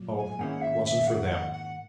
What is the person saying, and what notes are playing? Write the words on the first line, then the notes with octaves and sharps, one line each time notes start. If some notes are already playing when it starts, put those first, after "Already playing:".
No, it wasn't for them.
Already playing: A#2 F#3
G#5
G#2 D#3 A#3 C#4 E4 F#5
E5
E5
F#5
F#5
F#5